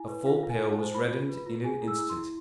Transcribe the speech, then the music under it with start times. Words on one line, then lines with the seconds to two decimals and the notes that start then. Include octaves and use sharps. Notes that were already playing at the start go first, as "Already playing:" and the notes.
A full pail was reddened in an instant.
Already playing: E4 G#5
0.08 B4
0.25 F4 F5
0.43 F4
0.50 G#5
0.61 F4
0.73 A5
0.78 C5
0.94 F4 B5
1.12 F4
1.29 B4
1.46 F4
1.64 G#4 G#5
1.82 E4
1.88 E6
1.98 E4
2.09 C6
2.16 E4